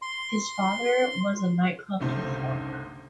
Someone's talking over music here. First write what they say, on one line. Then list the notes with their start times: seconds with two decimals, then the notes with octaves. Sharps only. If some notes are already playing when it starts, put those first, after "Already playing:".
His father was a nightclub performer.
0.02 C6
2.00 G1 C2 C#3 A3 D#4 C5